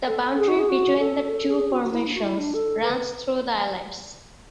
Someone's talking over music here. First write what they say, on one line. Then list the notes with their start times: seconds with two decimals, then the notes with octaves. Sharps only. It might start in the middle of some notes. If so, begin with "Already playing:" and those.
The boundary between the two formations runs through the islands.
0.07 A4
0.38 G#4
0.48 F#4
0.59 G#4
0.69 F#4
0.99 A4
1.31 A4
1.46 A4
1.50 G#4
1.71 F#4
1.83 F#4
1.92 E4
2.07 D4
2.15 F#4
2.23 E4
2.38 D4
2.54 A4
2.84 B4